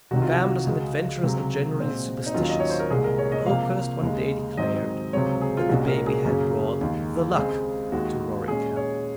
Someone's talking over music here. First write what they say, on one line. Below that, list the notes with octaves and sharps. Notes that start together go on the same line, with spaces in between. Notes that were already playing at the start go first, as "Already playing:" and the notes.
Gamblers and adventurers are generally superstitious, and Oakhurst one day declared that the baby had brought "the luck" to Roaring Camp.
C2 C3 D#3 F#4
F4
F#4
C#2 C#3 G#3
C#2 C3 F#3
A#2 G#3 C4
D#4
D#2 D#3 F#3 C#4 F4
D#5
C#5
C5
A#4
C2 A#2 G#3 G#4
A#4
C#5
D#5
C3 F3 A#3 F5
D#2 C#3 G#3
G#2 D#3 F#3 C4 D#5
C#2 C3 F#3 C4 C#5
G#4
F4
C2 A#2 G#3 C#4 F#4
A#4
G#4
F#2 C#3 F#3 A#3 C#4
D#2 D#3 G#3
C#2 C#3 G#3 C4 G#4
D#2 D#3 G#3 F#4
A#2 G#3 C#4 G#4
C#5